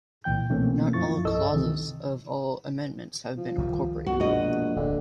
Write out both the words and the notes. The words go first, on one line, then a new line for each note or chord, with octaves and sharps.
Not all clauses of all amendments have been incorporated.
C2 A#2 E3 G5 G6
B2 E3 A3 A#3 C4 C#4
F#2 F3 E4 C#6 A6
C2 G2 A4 D#5 E6
C3 D#3 E3
F3
C2 D#3 G3
B2 F#4
A#1 F#2 B2 G#3 F#4 D#5
D1 D3